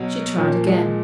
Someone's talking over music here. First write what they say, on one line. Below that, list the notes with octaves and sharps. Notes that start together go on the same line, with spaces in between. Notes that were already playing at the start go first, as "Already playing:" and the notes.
She tried again.
Already playing: B2 F#3
A#2 F3 C#4
A#3
G#3